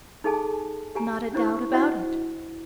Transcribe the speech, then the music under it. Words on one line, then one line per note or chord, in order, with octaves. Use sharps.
"Not a doubt about it."
D#4 G#4 A4 G#5 A5
G4 G#5 A#5
C#4 D4 E4 C5 C#6
E4 F#4 C5 D#5 F#5